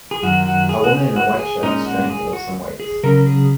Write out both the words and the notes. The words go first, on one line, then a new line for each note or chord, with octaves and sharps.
A woman in a white shirt straining to lift some weights.
G#4
F#2 D#3 F#3 F#4
F#4
G#4
F#4
G#4
F#4
G#4
A#2 G#3 C#4 D#4
F#4
G#4
F#4
G#4
C#3 F#3 C#4 A#4
G#4